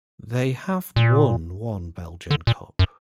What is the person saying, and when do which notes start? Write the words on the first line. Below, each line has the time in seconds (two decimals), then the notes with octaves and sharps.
They have won one Belgian Cup.
0.96 A#2
2.31 D3
2.47 A#2
2.79 F#2